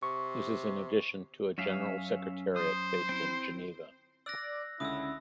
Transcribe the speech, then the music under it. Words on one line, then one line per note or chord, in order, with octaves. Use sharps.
This is in addition to a General Secretariat based in Geneva.
C3 C#6
F#2 C#4 E5 F5
C5 D#6
C4 E4
D5 E6 F#6 A#6
C#2 D3 C#4 E4 D#6 E6